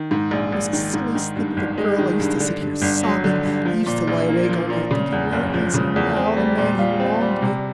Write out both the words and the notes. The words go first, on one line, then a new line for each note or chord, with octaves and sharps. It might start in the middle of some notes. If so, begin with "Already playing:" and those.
I was a silly slip of a girl; I used to sit here sobbing; I used to lie awake all night, thinking: 'Where is he now, the man who wronged me?
Already playing: D#3
G#2
A#1
A#1
D#3
G#2
D#3
G2
G1
G#3
D#3
G2
D3
G2
G1
F#3
D3
G2
F3
A#2
A#1
A#3
F3
A#2
C#3
E2
F#1
F3
C#3
E2
C4
G3
A#2
F4
C4
G3
C3